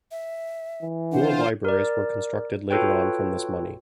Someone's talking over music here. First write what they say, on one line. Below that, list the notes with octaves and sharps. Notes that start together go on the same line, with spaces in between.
More libraries were constructed later on from this money.
E5
E3
D3 F4 C5 F#5
A#4 D5
F4 F#4 A4 B4 C#5 G5